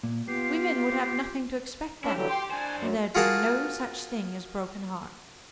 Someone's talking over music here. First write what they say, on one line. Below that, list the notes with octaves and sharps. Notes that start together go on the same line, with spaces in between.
Women would have nothing to expect then, and there'd be no such thing as broken hearts.
A#2 A#3
B3 F4 G4 C7
C#4 D4 E4
D3 E3 F#3 G4
G5 C6
D4 C5 G#5
F#2
F4 F#4 G#4 A#4 F5 A5